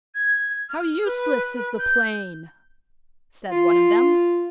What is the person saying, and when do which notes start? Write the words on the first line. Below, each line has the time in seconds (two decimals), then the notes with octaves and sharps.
"How useless is the Plane!" said one of them.
0.15 G#6
0.69 F6
1.05 B4
1.54 B4
1.78 G6
3.50 F4